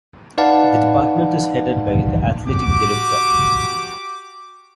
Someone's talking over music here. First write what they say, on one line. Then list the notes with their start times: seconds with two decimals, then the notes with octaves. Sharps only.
The department is headed by the Athletic Director.
0.38 D#4 B4 D5 F5 F#5 A5
2.48 F#4 G4 D6